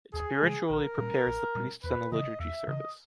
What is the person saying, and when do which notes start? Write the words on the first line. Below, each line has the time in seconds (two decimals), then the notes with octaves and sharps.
It spiritually prepares the priests and the liturgy service.
0.14 D#2 G#4
0.42 C#3 E3 G#3
0.70 A#1 A#4
0.98 A#2 G3 C#4
1.26 A#1
1.55 A#2 G3 C#4
1.84 E2 B4
2.12 C#3 E3 D#5
2.39 E2 E5
2.68 C#3 E3 D#5